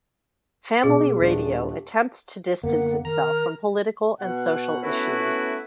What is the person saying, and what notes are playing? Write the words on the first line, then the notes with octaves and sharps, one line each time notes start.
Family Radio attempts to distance itself from political and social issues.
B1 G#4
D#1 D4
F#2 D3 A#3 B3 F#5
D#3 A#4 A#5
B2 F#5
A3 B3 C#4 E4 F#4 B4